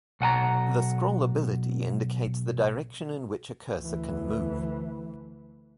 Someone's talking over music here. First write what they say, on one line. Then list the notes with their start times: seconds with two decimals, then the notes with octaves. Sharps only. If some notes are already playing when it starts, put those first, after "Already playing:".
The scrollability indicates the direction in which a cursor can move.
0.21 B1 F#5 G#5 A#5
3.79 D2 E3